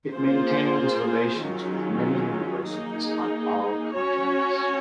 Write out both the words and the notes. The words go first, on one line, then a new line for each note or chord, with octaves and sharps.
It maintains relations with many universities on all continents.
A#3 F4 G#4 C5
D#3 F#3 C#4 F4 G#4
A#3 D#4 G#4
C#4 F#4 C#5